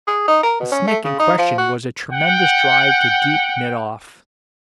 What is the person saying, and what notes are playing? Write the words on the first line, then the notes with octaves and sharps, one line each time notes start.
The "snick" in question was a tremendous drive to deep mid-off.
G#4
D#4
A#4
B2
C#4
A3
C#3
D#4
F3
F#4
F#5 G5